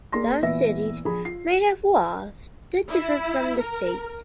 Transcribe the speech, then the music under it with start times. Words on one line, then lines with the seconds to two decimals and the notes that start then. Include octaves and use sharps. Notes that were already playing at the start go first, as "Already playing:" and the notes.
Some cities may have laws that differ from the state.
0.13 A#3 G#4 D5 C6 A#6
0.42 A#2 E3 B3 B4 E5 A#6
1.05 A#1 G#4 B5
1.25 F4 C7
2.90 E4
3.60 A#4